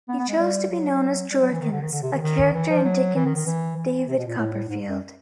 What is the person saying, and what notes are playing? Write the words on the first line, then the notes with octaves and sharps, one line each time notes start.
He chose to be known as "Jorkins", a character in Dickens' "David Copperfield".
B3
B3
G#3
G3
F#3
G3
F#3
E3
D#3
D3
D#3
D3
C3
D#3
D#3
E3
F3
F#3
E3
D#3
D#3
E3
E3
C3
B2
A#2
A2
A2
G#2
F#2